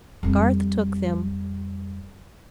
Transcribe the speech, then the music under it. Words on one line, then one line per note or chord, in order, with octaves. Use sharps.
Garth took them.
F2 G3